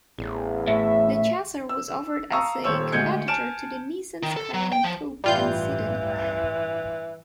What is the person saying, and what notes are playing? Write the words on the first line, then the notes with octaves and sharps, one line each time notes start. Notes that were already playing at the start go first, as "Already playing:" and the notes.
The Chaser was offered as a competitor to the Nissan Skyline coupe and sedan.
A1 E2
A2 E5
E6
F5 A5 A#5 C#6 D#6 E6
D#1 D#2 C5 C#5 E6
D2 G#3 G6 G#6 C#7
G#5 A5 F6 D7 E7
D#3
A4
F#3
G5
F3
A1 G2 E3 G3 F4 G6